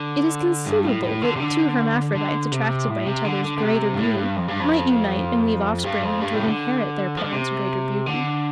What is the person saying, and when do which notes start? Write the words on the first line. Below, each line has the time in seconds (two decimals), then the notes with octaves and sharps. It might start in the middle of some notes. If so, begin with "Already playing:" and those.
It is conceivable that two hermaphrodites, attracted by each other's greater beauty, might unite and leave offspring which would inherit their parents' greater beauty.
Already playing: D3
0.66 G2
0.85 A2
1.03 A2
1.22 D3
1.36 C3
1.40 D3
2.15 D3
2.52 C3
2.88 A2
3.06 C3
3.25 D3
3.44 D3
3.58 D3
3.62 C3
3.93 G2
3.99 A2
4.18 G2
4.36 F2
4.48 G2
4.60 F2
5.84 G2
6.03 F2
6.21 G2
6.33 A2
6.40 C3
6.45 D3
7.17 F3
7.24 D3
7.32 C3
8.06 D3